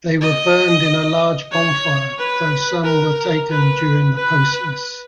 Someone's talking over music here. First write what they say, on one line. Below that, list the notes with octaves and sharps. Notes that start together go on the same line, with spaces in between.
They were burned in a large bonfire, though some were taken during the process.
D#5
C#5
B4
A#4
B4
B4